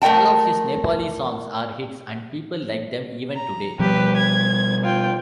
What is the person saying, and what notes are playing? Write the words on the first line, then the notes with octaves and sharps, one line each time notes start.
All of his Nepali songs are hits and people like them even today.
A3 A#4 D5 G5 A5
A#5
B2 F3 G3 G4 B4
G#6
F4 G5